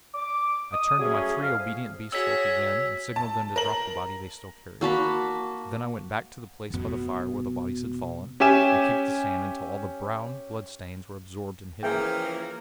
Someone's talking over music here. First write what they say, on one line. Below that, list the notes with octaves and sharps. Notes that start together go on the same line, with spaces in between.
I turned to my three obedient Beast Folk again and signalled them to drop the body they still carried. Then I went back to the place by the fire where the bodies had fallen and kicked the sand until all the brown blood-stains were absorbed and hidden.
D6
D#6
F#3 G3 A3 C#4 G#4
F2 F5
F#4 G#4 C#5 E6 B6
A5
A#4 F#7
A#3 F#4 A5 B5
F1 B2
C#4 G4 E5 G#5 E7
C#3 E3 F3 A#3 G#4 E5 G5